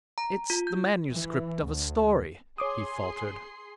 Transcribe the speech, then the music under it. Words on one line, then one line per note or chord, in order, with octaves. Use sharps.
"It's the manuscript of a story," he faltered.
A#5
F4
G6
E3
D2
G#4 C#5 C6 D6 D#6 C7